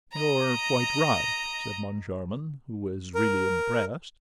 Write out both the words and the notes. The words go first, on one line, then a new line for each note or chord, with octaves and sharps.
"You're quite right," said Moncharmin, who was really impressed.
D#5 A#5
A#4